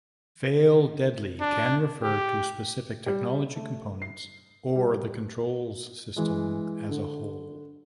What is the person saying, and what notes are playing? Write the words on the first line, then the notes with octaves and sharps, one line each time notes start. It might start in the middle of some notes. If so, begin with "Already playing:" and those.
Fail-deadly can refer to specific technology components, or the controls system as a whole.
D4
G4
G3
A3
C7
G3
E3 G#3
D3